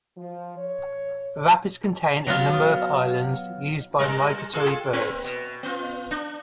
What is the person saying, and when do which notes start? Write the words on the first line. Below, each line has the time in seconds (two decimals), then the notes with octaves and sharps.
The rapids contain a number of islands used by migratory birds.
0.18 F3
0.58 C#5
2.27 F#3 B3 F4
3.98 G3 G#3 A#4
4.53 F4 G#4 A4
4.93 A#3 C4 B4
5.24 B2
5.63 B3 F4
6.11 D4